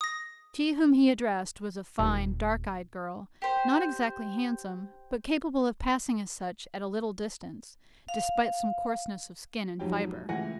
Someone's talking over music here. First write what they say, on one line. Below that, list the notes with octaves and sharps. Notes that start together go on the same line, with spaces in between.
She whom he addressed was a fine dark-eyed girl, not exactly handsome, but capable of passing as such at a little distance, despite some coarseness of skin and fibre.
D#6 A#6
D#1
G4 C5
F5
F2 G#2 F#3 G4 G5
C#2 E3 A3 F#5 G#5 A#6